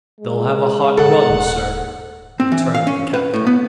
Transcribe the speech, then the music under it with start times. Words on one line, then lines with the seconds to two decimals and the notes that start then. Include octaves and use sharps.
"They'll have a hot run, sir," returned the captain.
0.21 G#3
0.97 A2 D3 A4 F#5
1.29 D#1 A#3
2.40 C4
2.52 E3
2.74 F5
2.87 C#4
3.14 B4
3.34 A2
3.47 B3